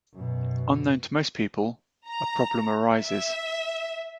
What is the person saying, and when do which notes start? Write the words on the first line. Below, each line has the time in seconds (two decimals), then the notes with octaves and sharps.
Unknown to most people, a problem arises.
0.13 F#2 B2
2.09 A#5
3.01 E5